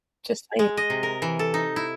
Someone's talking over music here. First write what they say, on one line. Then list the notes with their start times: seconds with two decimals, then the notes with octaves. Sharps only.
just saying
0.59 G#3
0.77 D#5
0.90 C3
1.03 A#4
1.22 E3
1.39 A4
1.54 D#4
1.76 E4